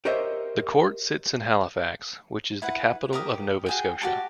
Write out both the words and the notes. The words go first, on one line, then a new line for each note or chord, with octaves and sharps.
The court sits in Halifax, which is the capital of Nova Scotia.
G4 A#4 C5 C#5 D#5 E5
E4 B4 F#5
G4 A#4 D#6
F#4 G#4 G5
F#4 G4 A5